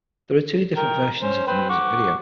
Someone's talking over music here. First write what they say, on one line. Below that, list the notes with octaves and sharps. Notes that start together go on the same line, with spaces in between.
There are two different versions of the music video.
A#4 G5
C#4 C5
B4 C5 G5
F#5 C#6 D6